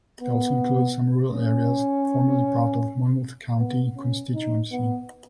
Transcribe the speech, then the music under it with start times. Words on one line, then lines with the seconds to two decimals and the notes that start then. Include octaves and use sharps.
It also included some rural areas formerly part of Monmouth county constituency.
0.21 B3
1.33 C#4
3.59 B3
3.96 C#4
4.34 D#4
4.72 B3